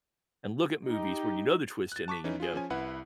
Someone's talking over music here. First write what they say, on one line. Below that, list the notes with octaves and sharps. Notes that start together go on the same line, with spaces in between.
and look at movies where you know the twist ending and go
D#4 G4
F#6 A6
A5 C#6 D6 B6
E3 C#4 D#4
F4 G#4
F3 C#4 G#5
C2 E4 B4 F#5